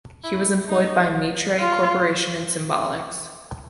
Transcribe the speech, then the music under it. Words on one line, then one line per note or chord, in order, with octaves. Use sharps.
He was employed by Mitre Corporation and Symbolics.
E4
D#4
F4